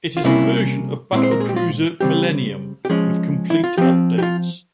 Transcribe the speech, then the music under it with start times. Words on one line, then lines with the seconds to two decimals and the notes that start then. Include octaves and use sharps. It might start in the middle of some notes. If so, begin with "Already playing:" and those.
It is a version of "Battlecruiser Millennium" with complete updates.
0.17 F4
0.24 C3 G3 A#3 C#4 E4
1.12 A#2 G#3 C4 E4
1.23 C5
1.31 A#4
1.40 G#4
1.49 G4
1.56 F4
2.01 C#3 G3 C4 G4
2.85 G4
2.89 F3 G#3 C#4 G#4
3.50 E4
3.64 F4
3.78 F3 C4 G4
4.18 G4
4.23 F4